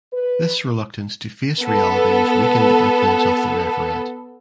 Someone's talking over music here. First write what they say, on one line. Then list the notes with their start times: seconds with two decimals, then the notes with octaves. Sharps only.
This reluctance to face realities weakened the influence of the Referat.
0.13 B4
1.61 B3 A4